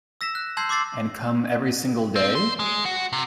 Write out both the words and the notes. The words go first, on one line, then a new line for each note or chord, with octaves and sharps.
And come every single day?
E6 A#6 B6 E7
F#6
A5 C6 E6 G6 G#6 C7
C6 D6 E6 A6 C7
C4
C5
G#3
F#4
C3